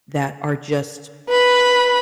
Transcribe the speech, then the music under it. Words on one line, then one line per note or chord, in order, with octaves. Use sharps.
that are just
B4 B5